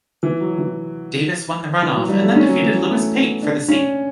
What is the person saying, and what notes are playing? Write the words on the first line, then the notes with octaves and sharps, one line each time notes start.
Davis won the runoff and then defeated Louis Pate for the seat.
E3
F#3
E3
E3
F#3
G3
A3
C#4
F#3
E3
F#3
A3
B3
D4
C#4